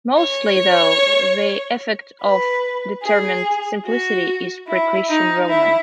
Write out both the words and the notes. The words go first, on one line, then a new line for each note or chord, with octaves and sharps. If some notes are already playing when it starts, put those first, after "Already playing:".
Mostly, though, the effect of the determined simplicity is pre-Christian Roman.
C#5
B4
G#4
F#4
E4
D#4
E4